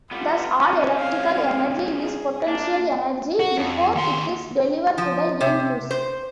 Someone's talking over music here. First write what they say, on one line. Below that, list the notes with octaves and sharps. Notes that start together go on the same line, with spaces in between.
Thus, all electrical energy is potential energy before it is delivered to the end-use.
G3 B3 F4
C2 C#4
F5
G#4
A#3 D4
F#4
F2
D#2 C6
F3
C3
C5